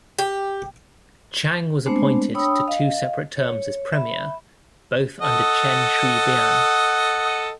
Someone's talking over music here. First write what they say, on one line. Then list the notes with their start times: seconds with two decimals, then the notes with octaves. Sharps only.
Chang was appointed to two separate terms as Premier, both under Chen Shui-bian.
0.19 G4
1.86 G#3 A3 B3 C4 D4 C5
2.35 D4 C#5 G5 B5 D#6 E6
2.68 D#5 F5
3.37 C#5
3.93 E5 B5
5.20 A4 D#5 F#5